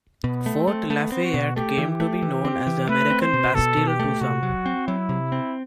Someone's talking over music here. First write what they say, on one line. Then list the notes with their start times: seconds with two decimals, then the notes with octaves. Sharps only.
Fort Lafayette came to be known as the "American Bastille" to some.
0.24 B2 B3
0.46 A3
0.56 C4
0.68 A3
0.90 A3 B3
1.12 C4
1.24 F#4
1.34 B2
1.56 A3 G4
1.78 E3
1.90 G4
2.00 A3
2.22 E3
2.45 C4
2.67 E3
2.89 A3 B4
3.10 C4
3.21 C5
3.33 B2
3.54 B2 A4
3.77 B2
3.88 G4
4.00 A3
4.21 C3 F#4
4.43 F#3
4.66 C4
4.87 F#3 E4
5.09 C3
5.32 C4